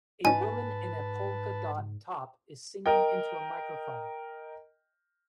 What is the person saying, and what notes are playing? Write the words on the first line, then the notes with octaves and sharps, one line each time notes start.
A woman in a polka dot top is singing into a microphone.
G#2 C#4 D#4 B4 G#5 A5
A#4 D#5 G5